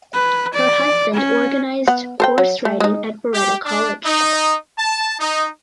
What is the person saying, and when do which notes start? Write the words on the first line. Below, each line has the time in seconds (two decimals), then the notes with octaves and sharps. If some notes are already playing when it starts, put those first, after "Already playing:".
Her husband organised horse riding at Beretta College.
0.13 B4
0.54 D5
1.14 C#4
1.88 B3 F#5
2.20 A4 C5 G5
2.38 F#3
2.65 A3
2.80 G#3 D#4
3.33 G4
3.65 D4
4.05 D#4
4.79 A5
5.20 D#4